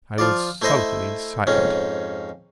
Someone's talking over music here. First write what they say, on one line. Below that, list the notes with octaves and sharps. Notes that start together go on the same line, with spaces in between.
I was sulkily silent.
F3 F4 D5
A3 E4 C5 D#5 E5
F2 G#2 C#4